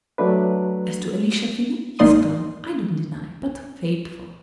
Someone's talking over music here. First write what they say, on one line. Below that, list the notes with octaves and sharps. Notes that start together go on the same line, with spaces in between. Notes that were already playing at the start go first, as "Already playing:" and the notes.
As to Elisha Finney, he's glum, I don't deny, but faithful!
F#3 A3 D4 B4
G#1 A#3 D#4 D5 C6 D#6